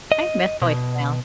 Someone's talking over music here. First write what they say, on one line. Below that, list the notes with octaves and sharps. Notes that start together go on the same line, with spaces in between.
I miss voicemail.
D#5
B2